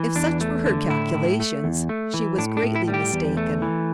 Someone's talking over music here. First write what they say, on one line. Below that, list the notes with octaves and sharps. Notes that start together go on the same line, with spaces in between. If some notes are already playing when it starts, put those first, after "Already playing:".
If such were her calculations she was greatly mistaken.
Already playing: E3
E2 D4
A3
D3
A2 E4
A2
A3
E2
A3
E3
A2 D4
D4
A2
E4
G3
G4
E2
A3
E3